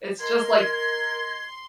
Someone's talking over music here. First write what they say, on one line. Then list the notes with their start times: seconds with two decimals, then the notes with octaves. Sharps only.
it's just like,
0.20 A#4 D#5 C6 G#6